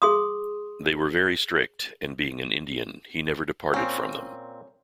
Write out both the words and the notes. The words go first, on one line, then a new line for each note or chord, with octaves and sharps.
They were very strict, and being an Indian, he never departed from them.
G#4 C6 D#6
A#2 C4 C#4